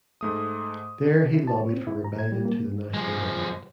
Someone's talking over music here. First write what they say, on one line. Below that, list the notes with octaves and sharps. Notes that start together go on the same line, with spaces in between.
There he lobbied for rebellion to the National Government.
G#2 A3 D#6
E4
A5
C#5
C4
E4
A#5
G#6
G3
A#3
F3 G#3